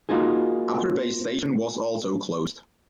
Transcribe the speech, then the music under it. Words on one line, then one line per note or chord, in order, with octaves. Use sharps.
Upper Bay station was also closed.
A#3 D#4 F4 F#4 G#4